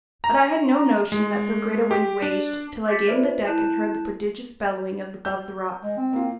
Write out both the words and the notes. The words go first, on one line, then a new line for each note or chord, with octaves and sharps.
But I had no notion that so great a wind raged till I gained the deck and heard the prodigious bellowing of it above the rocks.
A#5
G#3
G4
D4
D6 G6 A6 B6 C#7
F4 B4 C5 D5 E5
E4 A5 F#6 G6 E7
G6
G#3
C4
A#3 F4